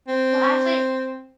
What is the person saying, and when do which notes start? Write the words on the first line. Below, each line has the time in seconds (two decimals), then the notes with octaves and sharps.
Well, actually
0.08 C4